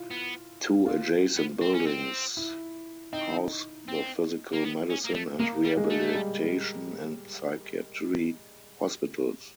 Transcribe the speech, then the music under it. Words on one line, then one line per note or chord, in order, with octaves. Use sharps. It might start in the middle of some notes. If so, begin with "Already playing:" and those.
Two adjacent buildings house the physical medicine and rehabilitation and psychiatry hospitals.
Already playing: E4 F4
B3
F4
B3
C4
C#4
C4
E4
C4 D#4
C4
A#3
B3
C#4
A#3
A3
G#3 A#3
G3
G#3
A3
G3